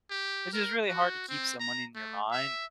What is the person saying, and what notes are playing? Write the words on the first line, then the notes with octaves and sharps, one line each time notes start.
It's just really hard to keep someone in your mind.
G4
A#4
F#4
C4
A#5
A3
E5